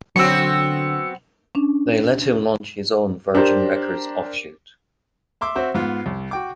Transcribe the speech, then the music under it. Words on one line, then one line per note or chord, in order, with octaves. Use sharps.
They let him launch his own Virgin Records offshoot.
D3 F#3 B3 C4 F#4 E6 C#7
C#4 D4
D4 G4 A#4 C5
E5 C6 D6 E6
C4 F#4 C5 E5
G#2 B3 F4
C2
F#4 G5 D6